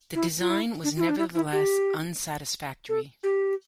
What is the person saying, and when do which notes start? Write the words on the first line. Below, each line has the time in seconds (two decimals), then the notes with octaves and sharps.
The design was nevertheless unsatisfactory.
0.15 E4
0.40 F4
0.50 E4
0.84 D4
0.97 F4
1.01 E4
1.09 D4
1.18 E4
1.35 E4
1.52 G4
2.89 A4
3.23 G4